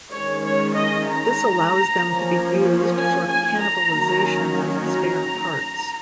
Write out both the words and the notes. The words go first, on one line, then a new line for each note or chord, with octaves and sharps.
This allows them to be used for cannibalization of spare parts.
D#3 G#3 C#4 C#5
C#5
D#5
A#5
F3 A#3 C#4
G#5
G#5
A#5
D#3 F#3 A#3 C#4
A#5